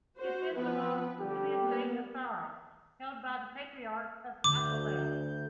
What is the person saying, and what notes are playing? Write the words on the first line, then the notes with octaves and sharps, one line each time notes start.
It then belonged to the estate of Farra, held by the Patriarchs of Aquileia.
F#4 C5
F3 B3 B4
D3 G3 G4
A#3 B3
D2 D3 D6 G6